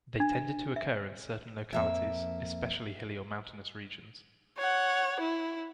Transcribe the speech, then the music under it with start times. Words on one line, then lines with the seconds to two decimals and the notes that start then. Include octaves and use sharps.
They tended to occur in certain localities, especially hilly or mountainous regions.
0.20 D4
0.76 E5
1.73 F2 A#3 E5
4.58 C#5 F#5
5.20 E4